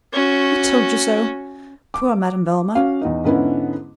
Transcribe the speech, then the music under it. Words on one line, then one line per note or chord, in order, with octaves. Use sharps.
I told you so. Poor Madame Velma!
C#4 F#4
D6
C#4 F#4 F5
E2 D#4
G#2 D3 B3 C#4 E4